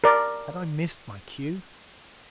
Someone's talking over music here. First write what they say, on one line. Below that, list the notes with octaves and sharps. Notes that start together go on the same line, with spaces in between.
Had I missed my cue?
A#4 D5